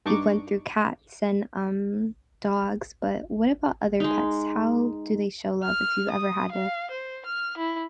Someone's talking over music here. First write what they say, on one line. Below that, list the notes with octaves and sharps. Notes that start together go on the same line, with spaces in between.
you've went through cats and, um, dogs, but what about other pets? How do they show love if you ever had
G2 D4 D#4 C#6 D6
G#3 D#4
F6
D#6
F5
C5
F6
E4